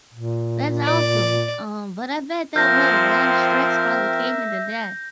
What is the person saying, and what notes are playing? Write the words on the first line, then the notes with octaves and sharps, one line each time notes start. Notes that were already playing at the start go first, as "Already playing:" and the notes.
that's awesome, um, but I bet that was a lot of stress probably came into that,
A#2
D5
F3 C4 A#4 E5 G6 A#6